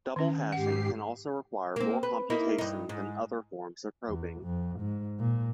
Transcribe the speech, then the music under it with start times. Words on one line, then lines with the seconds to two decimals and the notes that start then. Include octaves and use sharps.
Double hashing can also require more computation than other forms of probing.
0.16 D#3 C#4
0.52 G#2 G4 F#5 C7
1.76 A#3 C4
2.03 B4
2.30 A#3 D#4 E4
2.58 G2 D#4
2.89 G#2
4.08 E2
4.42 F2
4.80 G#2
5.20 A#2